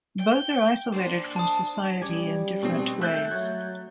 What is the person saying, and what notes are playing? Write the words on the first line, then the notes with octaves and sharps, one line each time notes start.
Both are isolated from society in different ways.
G5
D4 C5
A5 D#6
G3 C#4 D5 G#5
B2 C4
A3 E5 F#6 G6 A6
F#3 C#5